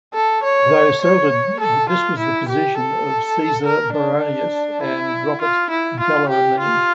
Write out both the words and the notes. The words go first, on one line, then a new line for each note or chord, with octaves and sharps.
They asserted that this was the position of Caesar Baronius and Robert Bellarmine.
A4
C#5
C#5
A4
F4
E4
G4
A4
A#4
D4
E4
F4
E4
F4
G4
F4